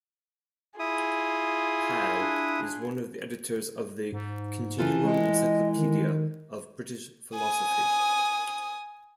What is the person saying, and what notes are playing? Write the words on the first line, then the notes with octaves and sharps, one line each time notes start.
Pyle is one of the editors of the "Continuum Encyclopedia of British Philosophy".
E4 F4 G#4 D#6
D4
G#2
E3 F4 A4
G#3 D#5
D#3
G#5 D#6